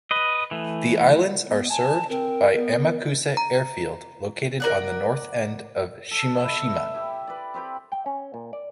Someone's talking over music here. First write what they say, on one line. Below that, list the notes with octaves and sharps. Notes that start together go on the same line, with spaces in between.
The islands are served by Amakusa Airfield, located on the north end of Shimoshima.
B4 D#5
E3 A3
B3
G#5 A5
C4 A#4
B3
A#5
A#4 D5 F#5
A4
E4 B4 A5
E5
E4 G4
B4 D5
C4 G4 B4 G5
G5
C#4
A#2
D5